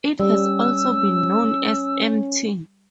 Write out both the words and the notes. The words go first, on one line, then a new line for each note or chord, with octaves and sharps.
It has also been known as Mt.
G3 C#4 E6